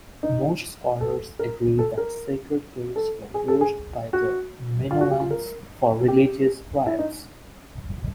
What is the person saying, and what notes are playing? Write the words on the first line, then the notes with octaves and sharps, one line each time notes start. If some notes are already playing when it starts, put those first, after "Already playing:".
Most scholars agree that sacred caves were used by the Minoans for religious rites.
D#4
A4
A#4
A4
A#4
A4
G#4
A4
G#4
F#4
F4
F#4
G4
F4
A#4
G4
E4
D#4